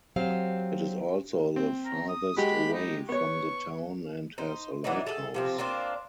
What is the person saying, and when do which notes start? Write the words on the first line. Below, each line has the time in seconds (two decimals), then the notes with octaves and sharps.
It is also the farthest away from the town and has a lighthouse.
0.16 F#3 C4 G4 C5 F5
1.56 C4
1.85 A#5
2.09 D#6
2.37 G#3 F#4 G4 B5
2.73 D#4
3.09 B3 C#5 C#6
4.38 D#4 C5
4.84 E3 F#3 D4 D#4
5.07 G#4 A4
5.34 C3 F3 C4
5.59 A#3 C4 D4 F4